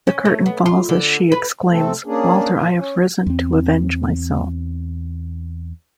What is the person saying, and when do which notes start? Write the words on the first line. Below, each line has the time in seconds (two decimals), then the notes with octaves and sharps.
The curtain falls as she exclaims: Walter, I have risen to avenge myself.
0.07 C#4
0.25 A3
0.46 B3
0.66 F4
0.89 D3
1.32 B4
1.70 C3 A3 C4 A4
2.06 A#3 C#4 D4 G#4
2.54 A#2 F4
2.77 C#4
3.27 E2 C4